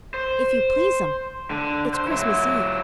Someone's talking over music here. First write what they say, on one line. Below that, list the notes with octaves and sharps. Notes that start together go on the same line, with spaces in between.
"If you please'm, it's Christmas Eve."
C5
D3
C5
F#3 E4